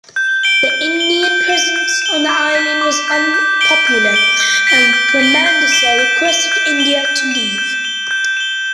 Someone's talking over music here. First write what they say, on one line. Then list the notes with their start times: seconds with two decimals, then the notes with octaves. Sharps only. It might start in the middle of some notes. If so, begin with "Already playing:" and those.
The Indian presence on the island was unpopular, and Premadasa requested India to leave.
0.16 G6
0.43 D7 G7
0.70 G6
0.96 D7 G7
1.23 G6
1.49 E7 G7
1.76 G6
2.02 E7 G7
2.29 D6
2.55 G6 B6
2.81 D6
3.08 G6 B6
3.34 G6
3.61 D7 G7
3.87 G6
4.14 D7 G7
4.40 G6
4.67 B6 D7 G7
4.93 G6
5.20 B6 D7 G7
5.46 G6
5.72 E7 G7
5.99 G6
6.25 E7 G7
6.52 G6
6.79 E7 G7
7.05 G6
7.31 E7 G7
7.58 G6
7.85 E7 G7
8.11 G6
8.37 E7 G7